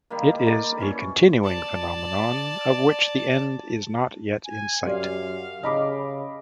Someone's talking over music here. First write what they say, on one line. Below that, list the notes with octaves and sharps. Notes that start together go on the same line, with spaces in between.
It is a continuing phenomenon of which the end is not yet in sight.
D#3 G3 A#3
G3 D5
E3 C#4
D5 A5
G#5
F#2 G4 C5 D5 F5
C#3 D#5 B5 D6